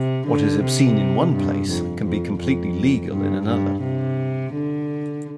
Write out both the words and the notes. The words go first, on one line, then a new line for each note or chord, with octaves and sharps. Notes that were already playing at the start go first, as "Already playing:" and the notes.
What is obscene in one place can be completely legal in another.
Already playing: C3
D3
C3
G2
F2
F2
F2
G2
G2
C3
D3